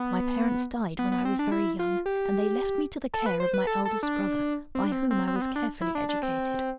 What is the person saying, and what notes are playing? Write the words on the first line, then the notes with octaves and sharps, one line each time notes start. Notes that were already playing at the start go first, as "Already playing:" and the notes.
My parents died when I was very young, and they left me to the care of my eldest brother, by whom I was carefully educated.
Already playing: B3
B3
B3
C4
D4
E4
F4
G4
A4
B4
C5
B4
A4
A4
D4
C4
D4
C4
C4
C4
B3
C4
D4
E4
D4
D4
C4